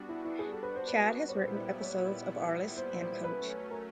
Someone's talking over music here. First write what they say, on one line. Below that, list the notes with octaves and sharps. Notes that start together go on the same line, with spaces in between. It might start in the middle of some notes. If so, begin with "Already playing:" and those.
Chad has written episodes of "Arliss" and "Coach".
Already playing: G3 B3 D4 F#4
E4
E4
G#4
A4
B4
C5
B4
C#5
A#2 G3 B3 E4 C5
C#5
C5
C5
F#3 A3 C#4 B4
A#4